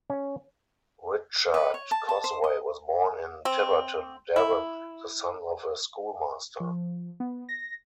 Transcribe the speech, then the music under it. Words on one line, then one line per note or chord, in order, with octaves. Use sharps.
Richard Cosway was born in Tiverton, Devon, the son of a schoolmaster.
C#4
B4
C#5
A5
A5
C5
D#5
C4
E4
F3
B3
A#6